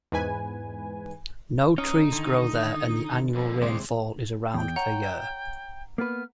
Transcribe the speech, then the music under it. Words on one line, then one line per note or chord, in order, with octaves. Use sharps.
No trees grow there and the annual rainfall is around per year.
E2 G#2 B4 G#5
C#4 D#4
D3 D#3
F2 D3
D#2 C3 G#3 C5 D5
E2 G5
C#5 F#5 A#5
A#3 B3 B4 F6